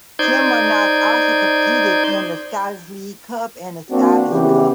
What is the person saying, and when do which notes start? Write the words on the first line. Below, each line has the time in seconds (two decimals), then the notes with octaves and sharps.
Kilmarnock also competed in the Scottish League Cup and the Scottish Cup.
0.19 D#4 C5 D5 G6 G#6
3.91 A#3 C4 D4 F#4
4.30 C#3 E3 B3 G4